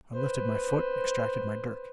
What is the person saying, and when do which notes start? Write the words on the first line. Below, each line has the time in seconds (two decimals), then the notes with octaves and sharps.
I lifted my foot; extracted my dirk.
0.14 B4 C5